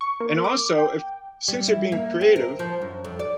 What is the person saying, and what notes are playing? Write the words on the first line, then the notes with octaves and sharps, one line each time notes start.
and also if since you're being creative,
C#6
A#3
D6
G5
G3
E4
A#3
C4
A#4
F3
F#2
F2
D5